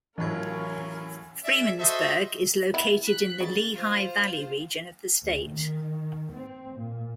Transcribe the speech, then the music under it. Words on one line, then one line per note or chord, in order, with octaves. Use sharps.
Freemansburg is located in the Lehigh Valley region of the state.
D#2 A2 E3 F#3 C#4 F4 A#4 G#6
G#4 D5 E5
F#4 A4 C5 D#5 E5
B3 E4
F#6 B6
C#3 A6
F4 C5
D2
D#3
C4
A#2